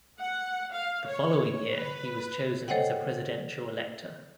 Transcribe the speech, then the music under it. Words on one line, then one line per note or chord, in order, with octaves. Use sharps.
The following year he was chosen as a Presidential elector.
F#5
F5
C#5
B4
A4 C5 C#5 D#5 F#5 G5